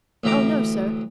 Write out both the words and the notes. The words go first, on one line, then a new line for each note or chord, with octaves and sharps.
Oh, no, sir!
A1 D2 E5 A#5 D6